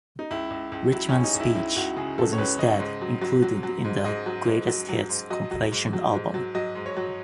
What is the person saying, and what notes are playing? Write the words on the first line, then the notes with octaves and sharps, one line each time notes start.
Richman's speech was instead included in the "Greatest Hits" compilation album.
D#4
C#2 E4
C#2
C#2
F#3 E4
C#2 C#4
D#4
C#2
E4
C#2 E4
C#2 F#4
C#3 G#4
C#3 A4
C#5
C#2 B4
C#3 D#5
G#2
F#3
F#3
F#3
F#3
G#2
G#2 D#5
F#3
G#2
F#3
F#3
G#2
F#3 D#5
F#3
G#2
F#3
G#2
F#3
F#3 D#5
G#2
C#5
F#3